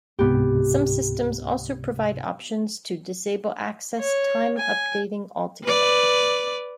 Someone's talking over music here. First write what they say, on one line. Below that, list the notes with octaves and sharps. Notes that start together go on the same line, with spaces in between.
Some systems also provide options to disable access time updating altogether.
C#2 G#2 C3 B3 G4
C#5
G#5
B4 D5